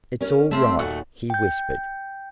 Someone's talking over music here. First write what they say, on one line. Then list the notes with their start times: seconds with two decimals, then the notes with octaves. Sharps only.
"It's all right," he whispered.
0.21 C#4 A#4 C#5
0.51 F3 A3 C4 E5
0.79 D#2 A#2 A3 F#4 F#5
1.30 G5 G6